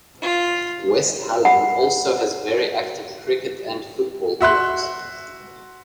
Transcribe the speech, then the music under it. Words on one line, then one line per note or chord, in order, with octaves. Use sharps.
West Hallam also has very active Cricket and Football Clubs.
F4
F#5 B5
F#4 E5 C6 F#6